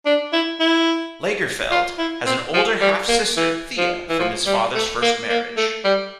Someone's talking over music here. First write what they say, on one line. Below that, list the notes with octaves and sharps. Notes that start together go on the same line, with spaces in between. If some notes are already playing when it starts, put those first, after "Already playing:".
Lagerfeld has an older half-sister, Thea, from his father's first marriage.
D4
E4
E4
F4
E4
C4
F3
G3
A#3
E3
F3
E3
F3
G3
A3
A#3
A#3
A3
G3